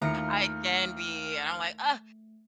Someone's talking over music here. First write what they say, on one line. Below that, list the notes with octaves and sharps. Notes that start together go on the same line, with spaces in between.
I can be. And I'm like, "Ugh.
D#2 A3 E4 F4 A#5 F6 C#7